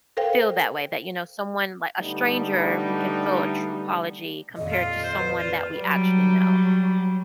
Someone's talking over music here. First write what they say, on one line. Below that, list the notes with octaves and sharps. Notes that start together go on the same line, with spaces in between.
feel that way that, you know, someone li a stranger, we can feel a true apology compared to someone that we actually know.
A4 A#4 C5 F5 G5
D3 G3 A3 B3 D4 D#4
D#1 F2 D#5
F4
C5
B4
F4 D5 B6
F#3 G3